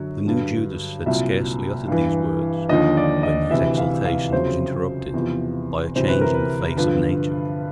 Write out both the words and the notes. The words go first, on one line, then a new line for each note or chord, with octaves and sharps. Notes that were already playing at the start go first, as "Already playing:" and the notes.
The new Judas had scarcely uttered these words when his exultation was interrupted by a change in the face of nature.
Already playing: F#2 D3 F#3
G2 D3 F#3
C2 A#2 F#3 E5
G2 E3
D#2 D3 F3 D#5
D5
D#5
D2 C3 E3 E5
F5
F5
F2 C#3 F#3 C5
E2 C3 F3
D2 C3 E3 C5
B4
A#4
B4
G2 D3 F3 B4